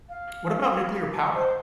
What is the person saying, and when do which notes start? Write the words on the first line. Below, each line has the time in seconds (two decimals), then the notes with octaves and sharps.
What about nuclear power?
0.09 F5
1.17 D#5
1.34 C5